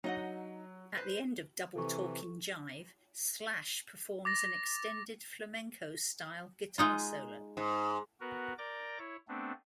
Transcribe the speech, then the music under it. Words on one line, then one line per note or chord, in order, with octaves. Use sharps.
At the end of "Double Talkin' Jive" Slash performs an extended flamenco-style guitar solo.
F#3 D#4 D#5 F#5
B4 C5
C3 E3 A4 C#6
D6 A6 A#6
G#3 D#4 F4
G#2
B3 F#4 A#4 B4
A#4 D5 D6 G6 A#6
E4 C#5
A3 B3 C4 D4